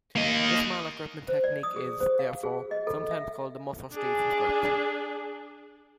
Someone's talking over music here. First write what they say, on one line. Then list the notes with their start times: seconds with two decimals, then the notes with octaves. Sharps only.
This mallet-gripping technique is, therefore, sometimes called the Musser-Stevens grip.
0.16 A#3 D#5
1.28 C5
1.44 D5
1.63 D#6
1.76 G#4
2.01 C5
2.19 F5
2.43 G#4
2.71 D#5
2.87 A4
3.11 E5
3.93 D4 G#4